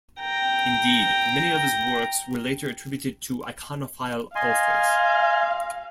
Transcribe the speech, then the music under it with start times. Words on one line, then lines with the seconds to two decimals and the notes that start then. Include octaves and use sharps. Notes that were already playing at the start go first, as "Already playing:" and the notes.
Indeed, many of his works were later attributed to iconophile authors.
0.21 G5 A#5
4.35 D#5 F5 G#5 C6